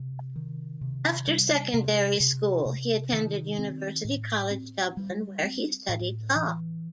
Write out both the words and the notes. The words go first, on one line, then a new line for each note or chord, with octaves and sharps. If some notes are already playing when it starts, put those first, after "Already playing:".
After secondary school, he attended University College Dublin where he studied law.
Already playing: C3
D#3
C3
G3
C3
C3
C3
D#3
C4
A2
C4
G3
C4
A2
E3